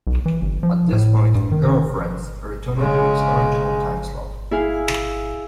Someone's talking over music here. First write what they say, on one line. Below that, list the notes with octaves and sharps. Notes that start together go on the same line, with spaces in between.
At this point, "Girlfriends" returned to its original time slot.
B1
E3
G1
F3
A2
G2
D#3
C#3 G#3
E4 G#4 F5